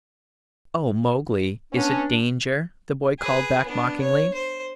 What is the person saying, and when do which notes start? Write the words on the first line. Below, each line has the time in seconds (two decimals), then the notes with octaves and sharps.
"Oh, Mowgli, is it danger?" the boy called back mockingly.
1.73 B3 C#4 D4
3.19 G#4 B4
3.67 B3 D4
4.01 C#5
4.34 C5